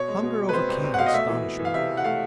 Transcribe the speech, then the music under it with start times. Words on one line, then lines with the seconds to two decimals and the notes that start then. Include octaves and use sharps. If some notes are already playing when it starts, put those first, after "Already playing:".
Hunger overcame astonishment.
Already playing: B2 C#5
0.08 G#3
0.23 B2
0.38 G#3
0.49 B4
0.53 C4 C5
0.69 C2
0.84 C2
0.94 F#5
0.98 B2 F5
1.06 D#5
1.14 A3 E5
1.29 E3
1.44 E3
1.59 E3
1.65 F5
1.74 C3 E5
1.90 E3
1.97 F#5
2.04 A3 F5